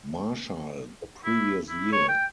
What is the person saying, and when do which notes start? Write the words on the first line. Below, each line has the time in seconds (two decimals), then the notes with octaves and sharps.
Marshal the previous year.
1.25 E4
1.69 E4
1.92 C#5
2.08 G5